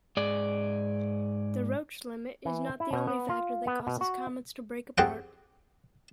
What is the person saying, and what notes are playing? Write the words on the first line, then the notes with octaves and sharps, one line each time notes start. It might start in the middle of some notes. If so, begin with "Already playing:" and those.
The Roche limit is not the only factor that causes comets to break apart.
G#2 G#4 D5
E3
E4
B2
B3
F4
B3
B2
F#4
F2 G4 G#4 C5 F#5 G5